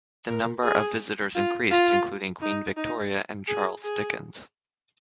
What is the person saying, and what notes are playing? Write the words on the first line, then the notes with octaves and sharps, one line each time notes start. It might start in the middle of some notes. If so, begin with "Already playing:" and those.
The number of visitors increased, including Queen Victoria and Charles Dickens.
A#4
G#4
F4
F4
D#4
D#4
G#4
G#4